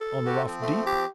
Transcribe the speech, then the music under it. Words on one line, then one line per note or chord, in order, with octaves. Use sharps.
'On the rough deep.
A4
F#4 G4
F3 C4
A3
G4